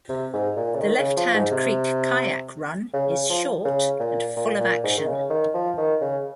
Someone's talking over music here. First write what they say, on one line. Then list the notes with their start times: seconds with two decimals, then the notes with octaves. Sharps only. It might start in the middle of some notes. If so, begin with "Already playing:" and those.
The Left Hand Creek kayak run is short and full of action.
0.09 C3
0.33 G#2
0.57 A#2
0.75 C#3
0.81 D#3
0.99 C#3
1.17 F3
1.34 G#2
1.52 C3
2.93 C#3
3.11 C#3
3.30 F3
3.65 C#3
4.00 A#2
4.36 A#2
4.60 A#2
4.84 G#2
4.97 D#3
5.07 C#3
5.30 D#3
5.54 F3
5.77 D#3
6.01 C#3